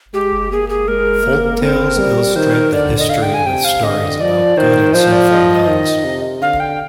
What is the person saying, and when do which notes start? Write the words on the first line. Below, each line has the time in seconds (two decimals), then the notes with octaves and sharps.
Folk tales illustrate the history with stories about good and sinful nuns.
0.14 G#3 G4
0.51 A#3 G#4
0.69 G#4
0.88 G#3 A#4
1.26 A#3
1.62 C4 A#4
1.98 G3
2.36 D#3 C5
2.54 A#4
2.72 D3 D5
2.99 D#5
3.09 F5
3.22 G5
3.34 G#5
3.46 C3 G5
3.64 F5
3.83 D3 D#5
4.20 F3 D5
4.57 D#3 C5
4.93 F3 C5
5.12 D5
5.31 D#5
5.68 D#3
6.04 C3
6.42 D3 F5
6.60 G5